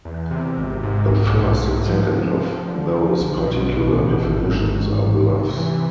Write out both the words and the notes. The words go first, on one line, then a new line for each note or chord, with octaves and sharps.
The first and second of those particular definitions are bluffs.
E2
C3
G#1
G#2
B1
A2
G#2
F3
C3
F3
D3
F3
B1
B2
A1
A2
G#1
G#2
A1
A2
C3
E3